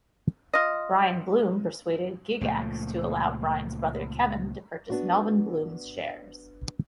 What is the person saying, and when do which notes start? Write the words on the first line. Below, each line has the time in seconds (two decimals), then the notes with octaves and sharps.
Brian Blume persuaded Gygax to allow Brian's brother Kevin to purchase Melvin Blume's shares.
0.54 F4 D#5
2.41 C#2 A#2 F3 A3
4.90 B3 D4 F#4